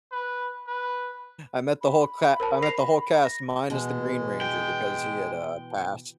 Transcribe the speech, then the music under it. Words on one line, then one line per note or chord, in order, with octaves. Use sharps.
I met the whole ca I met the whole cast minus the Green Ranger because he had, uh, passed.
B4
B4
B5
A#4 C5 A5
A#6 C7 F7
A#6
B2 E3 G#3
G5